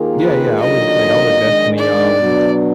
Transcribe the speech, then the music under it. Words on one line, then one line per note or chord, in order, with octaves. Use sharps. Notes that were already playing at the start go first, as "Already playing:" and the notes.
Yeah, yeah, I would, like, I would definitely, um,
Already playing: D#2 D#3 A#3 F4 G#4
B4
D#2 D3 F#3 A#3 F4 D#5
D#3 G#3 D4
D5
B2 F#3 D4